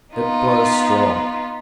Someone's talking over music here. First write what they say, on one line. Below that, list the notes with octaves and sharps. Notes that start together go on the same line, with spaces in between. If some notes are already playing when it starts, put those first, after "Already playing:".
It blows strong.
B3 D#4 F4